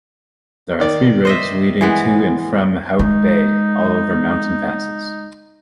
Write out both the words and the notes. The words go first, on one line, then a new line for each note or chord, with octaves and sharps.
There are three roads leading to and from Hout Bay, all over mountain passes.
D#3 D5
C5 D#5 E5
E3 G#3 B3
G#3 D#4